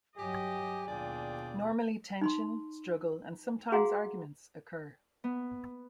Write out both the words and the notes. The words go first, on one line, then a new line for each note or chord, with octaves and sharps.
Normally tension, struggle and sometimes arguments occur.
G2 F#3 G4 D#5 G#5
D#2 B2 D4 F4 G#4 D5 G5
D#4 B5 C6
F#4 G#4 F5 F#5 A#5 C6
B3